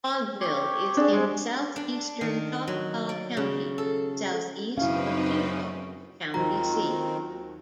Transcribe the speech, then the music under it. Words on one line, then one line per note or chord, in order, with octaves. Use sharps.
Frogville is in southeastern Choctaw County southeast of Hugo, the county seat.
C4 G4 C#5
D4 G#4
G#3 C4
D4
D#3
F#3
D5
C#3
A4
F#2 C#3 C4 C#4 D#4 E4 B4 F5
D#2 D#3 F#3 C4 F4 A#5